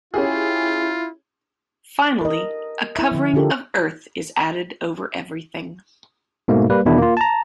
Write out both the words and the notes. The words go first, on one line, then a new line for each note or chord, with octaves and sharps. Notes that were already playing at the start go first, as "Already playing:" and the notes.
Finally, a covering of earth is added over everything.
C#4 E4 F4 G4 G#4
A#4 D#5
E4 E5
D3 F3
D3 D4 F4 G4 A4 A#4
G#2 B2 A3 A#3
G3 A#3 B4
E2 B2 D#3 D4 E4
A#3 F4
A5 A#5